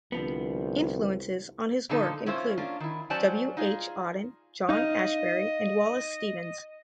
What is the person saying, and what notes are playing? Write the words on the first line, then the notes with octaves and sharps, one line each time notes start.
Influences on his work include: W. H. Auden, John Ashbery, and Wallace Stevens.
C2 D3 F3 B3
A#2 D3 F3 A#3 D#4 A4
C#4 E4 F4 C5
A#3 C#4 D4 F4
D#3 E4
F#3 C#4 C5 D5 G#5 A5
D#4 F4 G#4
D#4 D#5 F5